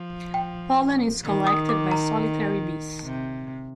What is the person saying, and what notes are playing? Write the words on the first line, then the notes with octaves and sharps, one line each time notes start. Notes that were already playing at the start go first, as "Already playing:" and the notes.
Pollen is collected by solitary bees.
Already playing: F3
G5
D#3
D#6
D6
A#5
C3